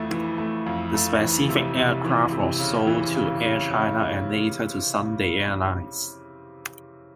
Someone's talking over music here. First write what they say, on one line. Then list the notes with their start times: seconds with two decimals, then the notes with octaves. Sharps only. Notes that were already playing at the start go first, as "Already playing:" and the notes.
The specific aircraft was sold to Air China and later to Sunday Airlines.
Already playing: F2 E3 A3
0.11 E3
0.38 A3
0.66 F2
0.94 A3
1.21 E3
1.49 C3
1.77 C3
2.05 E3
2.32 C3
2.60 C#3
2.87 E3
3.15 C#3
3.43 C#3
3.71 C#3